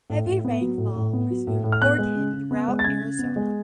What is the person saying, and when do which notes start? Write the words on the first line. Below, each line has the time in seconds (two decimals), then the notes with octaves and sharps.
Heavy rainfall was reported throughout Arizona.
0.10 A2
0.27 A2
0.45 B3
0.61 F#3
0.78 A2
0.96 A2
1.13 B3
1.30 F#3
1.47 A2
1.64 A2
1.72 F6
1.82 B3 F#6
1.98 G#3
2.15 C#3
2.33 C#3
2.51 B3
2.68 G#3
2.79 A6
2.84 C#3 G#6
3.02 C#3
3.19 B3
3.36 G#3